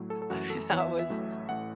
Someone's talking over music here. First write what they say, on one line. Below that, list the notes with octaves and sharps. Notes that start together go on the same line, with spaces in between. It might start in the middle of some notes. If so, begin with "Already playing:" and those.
I mean, that was,
Already playing: A2 F#3 A3
A4
A4
F#2 E3 A3 F#4
A4
E2 E3 B3 C#5
E5
E5
A1 A2 F#3 A3
A1 A2 A3 F#5